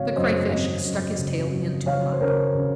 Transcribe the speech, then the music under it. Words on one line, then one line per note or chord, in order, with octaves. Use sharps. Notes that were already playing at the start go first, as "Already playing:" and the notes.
The Crayfish stuck his tail into the mud.
Already playing: G#1 C#3 F#3 C#5 F5
F#2 C5 D#5
G#1 C5 D#5
F#2
C#3
F#3
C#3 C#5 F5
C5
C#3 A#4 C#5
C#3